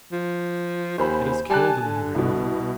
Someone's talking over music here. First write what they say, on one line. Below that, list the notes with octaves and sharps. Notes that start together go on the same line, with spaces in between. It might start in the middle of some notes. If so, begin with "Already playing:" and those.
"It has killed him!" he repeated.
F3
D#2 C5 G#5 B5
G3 G#5 A5 F#6
D3
C2 B2